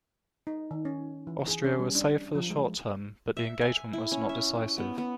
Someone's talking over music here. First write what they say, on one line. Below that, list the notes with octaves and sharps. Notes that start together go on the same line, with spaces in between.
Austria was saved for the short term, but the engagement was not decisive.
D#4
D#3
C#4
E3
G#4
C#4
G3
D4
F3
G#3
E5
G#5
E4
C#4
E5
B3
B3